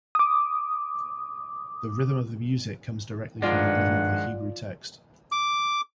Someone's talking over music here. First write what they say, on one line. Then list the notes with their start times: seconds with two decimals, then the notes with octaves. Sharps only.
The rhythm of the music comes directly from the rhythm of the Hebrew text.
0.15 D6 D#6
3.42 G2 D#3 F3 G#3 F4 D5 F#5
5.32 D6